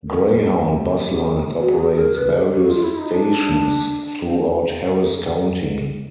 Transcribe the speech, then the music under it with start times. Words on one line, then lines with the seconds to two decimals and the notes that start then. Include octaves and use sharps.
Greyhound Bus Lines operates various stations throughout Harris County.
0.08 A#4
0.65 G4
1.60 F#4
1.79 G#4
1.98 A#4
2.17 B4
2.37 G4
2.55 F#4
2.69 F4
2.83 E4
2.98 D#4
3.11 D4
4.25 C4